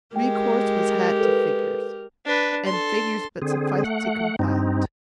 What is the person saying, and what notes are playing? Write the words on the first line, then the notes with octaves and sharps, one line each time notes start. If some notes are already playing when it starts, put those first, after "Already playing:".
Recourse was had to figures; and figures but sufficed to confound.
G#3 G4 A#4 G5
A4 B4
D4 B4
A4 C6
D3 C4 G#4
A3 F#5
G2 C4 D#4